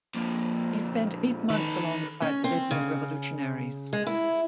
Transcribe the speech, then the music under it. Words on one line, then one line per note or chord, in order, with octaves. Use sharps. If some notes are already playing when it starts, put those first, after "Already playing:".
He spent eight months alongside the Libyan revolutionaries.
F2 A#2
D#3 A4 B4
C#4
C4
C#3
G#3
E4